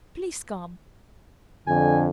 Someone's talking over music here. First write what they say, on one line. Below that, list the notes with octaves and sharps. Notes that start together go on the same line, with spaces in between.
Please come!
F2 D3 G#5